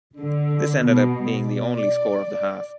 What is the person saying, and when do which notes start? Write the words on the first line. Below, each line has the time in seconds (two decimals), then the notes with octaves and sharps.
This ended up being the only score of the half.
0.20 D3
0.85 B2
1.48 D5